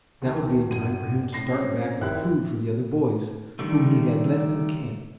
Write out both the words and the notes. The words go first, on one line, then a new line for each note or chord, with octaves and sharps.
That would be in time for him to start back with food for the other boys, whom he had left in camp.
D2 D#3
G1 D#7
A2 A#6 C7
C4 C#4
G#1 E4 G4 F#6
D3 D#3 G3 A3